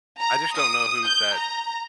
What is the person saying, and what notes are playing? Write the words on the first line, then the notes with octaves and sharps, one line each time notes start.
I just don't know who's that,
A#5
D#6
G6
A#5